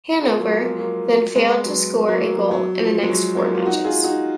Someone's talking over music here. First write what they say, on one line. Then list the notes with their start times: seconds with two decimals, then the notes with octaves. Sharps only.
Hannover then failed to score a goal in their next four matches.
0.21 F4 G#4
0.39 F#3 A#3
0.59 F3 G#3
0.79 F#3 A#3
1.36 G#3 B3
1.65 F#3
2.08 F#3 A#3
2.22 F#3
2.37 F#3
2.51 F#3
2.79 F3
3.03 G#3
3.09 F#3
3.37 F#3 A#3
3.55 F4
3.65 D#4 F#4
3.85 F4 G#4
4.04 D#4 F#4